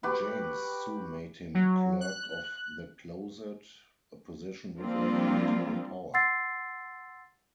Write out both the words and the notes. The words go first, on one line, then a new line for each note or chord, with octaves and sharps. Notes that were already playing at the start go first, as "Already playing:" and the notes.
James soon made him clerk of the closet, a position without political power.
F#4 G4 B4 F#5
F#3
F#6
F3 G3 A#3 C4 D4 F4
F#5 C6 E6 A6 C7